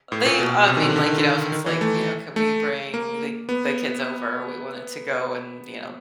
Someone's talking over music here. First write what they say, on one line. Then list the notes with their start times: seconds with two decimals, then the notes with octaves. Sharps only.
They, um, I mean, like, you know, if it's, like, you know, could we bring the the kids over? We wanted to go and, you know,
0.12 A2
0.26 A#2
0.40 B2
0.68 C3
0.77 D#3
0.82 D3
0.96 D3
1.07 D#3
1.18 D3
1.52 D#3
1.66 E3
1.81 A3
2.36 A3
2.94 A#3
3.49 B3